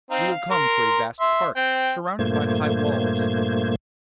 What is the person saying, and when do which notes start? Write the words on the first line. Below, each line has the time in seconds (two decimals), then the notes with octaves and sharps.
You will come to a vast park surrounded by high walls.
0.11 C4 D#4 F5
0.31 F5
0.51 A#4 C6
1.20 E5 C6
1.56 C4 G5
2.19 G2 A#2 A3 A#3 C5 G#6